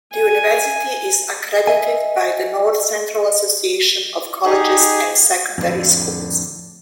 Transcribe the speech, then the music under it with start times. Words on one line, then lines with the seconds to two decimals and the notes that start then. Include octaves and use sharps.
The university is accredited by the North Central Association of Colleges and Secondary Schools.
0.13 G#5
1.67 D#5 E5 G#5
4.45 D#4 G4 G#4
5.58 F2 A2 D3